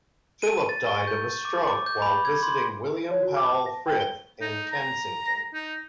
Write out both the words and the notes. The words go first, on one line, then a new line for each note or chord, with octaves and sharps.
Phillip died of a stroke while visiting William Powell Frith in Kensington.
D#7
A6
C#6
G6
D6
D6
G6
B5
G#6
C6
C#5
F#4
D6
A5
A#6
G5
G7
D#4
A#5
D#4